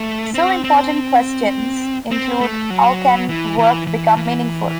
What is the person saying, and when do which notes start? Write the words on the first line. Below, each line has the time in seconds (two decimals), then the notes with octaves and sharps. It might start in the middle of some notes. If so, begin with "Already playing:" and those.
So important questions include How can work become meaningful?
Already playing: A3
0.34 C4
0.64 C4
2.11 C4
2.41 A3
2.70 F#3
3.29 E3
3.58 E3
3.87 E3
4.17 E3